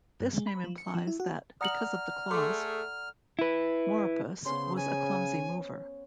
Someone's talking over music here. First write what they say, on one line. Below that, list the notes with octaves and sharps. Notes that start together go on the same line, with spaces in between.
This name implies that because of the claws, "Moropus" was a clumsy mover.
G2
G#3
B5
F3
C#7
F3
E4
F#4
D5 F#5 A#5 D#6 F6 C#7 F#7
A3 G#4 A4 C6 D6
E4 B4
C#3 B3 C#4 C5 C6
G#5